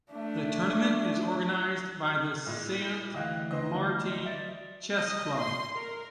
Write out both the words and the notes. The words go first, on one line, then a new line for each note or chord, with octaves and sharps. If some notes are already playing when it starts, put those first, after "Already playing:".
The tournament is organized by the Sant Martí Chess Club.
A3 D4
A#2 G#3 E4
D2 E3 D#5 F5 G5
B4 C5 D#5
D5 E5
D#5
C6
A#4